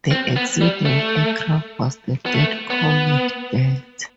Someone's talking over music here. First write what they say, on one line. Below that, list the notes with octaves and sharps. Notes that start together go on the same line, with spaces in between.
The accident aircraft was the third Comet built.
C4
B3
G3
A3
B3
A3
B3